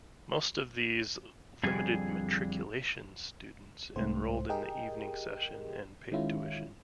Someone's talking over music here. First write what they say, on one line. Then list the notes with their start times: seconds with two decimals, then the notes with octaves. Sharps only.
Most of these "limited matriculation" students enrolled in the Evening Session, and paid tuition.
1.64 F2 D3 G3 G#4 G#5
3.96 C2 G#2 A3 C5
4.50 G4 G#4 A#4 D#5 G5
6.12 D#3 G#3 C#4 E4 F4